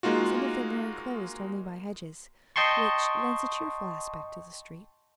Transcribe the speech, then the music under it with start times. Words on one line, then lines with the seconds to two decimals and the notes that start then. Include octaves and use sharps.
Some of them are enclosed only by hedges, which lends a cheerful aspect to the street.
0.03 G#3 A#3 D#4 F4 F#4
2.56 D#5 G5 A5 C6 C#6